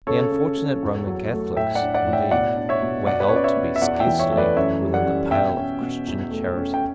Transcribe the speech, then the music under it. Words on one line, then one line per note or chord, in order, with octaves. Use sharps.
The unfortunate Roman Catholics, indeed, were held to be scarcely within the pale of Christian charity.
C#3 A4 C#5
C#4
C#3
E2
F#3
A3
A2 E5 G5
D5 F#5
D4
D5 F#5
A2
E5 G5
B2 D5 F#5
D4
C#5 E5
B2
B2 D5 F#5
B4
C#5
C#4 D5
C#5 E5
B2
E5
E2 D5 F#5
E5 G5
E3
C#5 E5
A3 E5
B4 D5
F#2 C#5 E5
G3
D5 F#5
C#4
B2 E5 G5
C#4
B2
E2
A3
C#4
G5